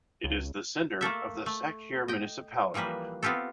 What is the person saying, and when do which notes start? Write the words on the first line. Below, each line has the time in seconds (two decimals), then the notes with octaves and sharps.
It is the center of the Sachkhere Municipality.
0.24 C#2
1.01 A3 A#3 A4 E5
1.46 A3
2.08 D#5 G5
2.74 E3 F3 G3 A#3 B4
3.23 B3 C4 F4 G4 A4